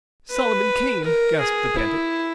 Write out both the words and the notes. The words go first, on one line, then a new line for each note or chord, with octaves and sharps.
"Solomon Kane!" gasped the bandit.
B4
A#4
G#4
E4